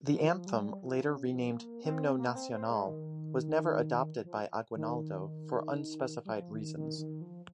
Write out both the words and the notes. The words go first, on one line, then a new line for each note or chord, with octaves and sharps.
The anthem, later renamed "Himno Nacional", was never adopted by Aguinaldo for unspecified reasons.
F3
G3
F3
C#3
F3
A#3
C4
A#3
C4
C4
G#3
D#3
F3
D#3
G3
F3
D#3
D#3
D#3
F3